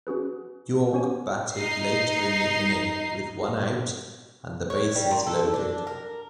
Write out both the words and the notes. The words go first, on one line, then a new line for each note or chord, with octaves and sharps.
Iorg batted later in the inning with one out and the bases loaded.
C#4 F#4 G#4 B4
B3 C#4 F#4 C5 C#5 G#5
D#4 C7
C#5
G3
A#2
A4
D4
A#4